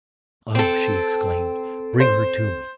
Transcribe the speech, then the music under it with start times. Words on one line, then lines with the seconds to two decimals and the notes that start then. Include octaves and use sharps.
"Oh!" she exclaimed, "bring her to me!"
0.55 C4 A4
2.00 C5